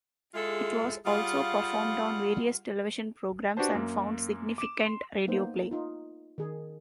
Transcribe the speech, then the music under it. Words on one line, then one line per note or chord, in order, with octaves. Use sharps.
It was also performed on various television programs and found significant radio play.
G#3 E4 F4 G#4 A4
G3 F4 G#4 F5 F#5
D4 F#4 G4 B4 C5 A5
F#2 A#3
D6 E7
C6
A#3 B3 D#4 C5
D#4 F4
D#3 G#4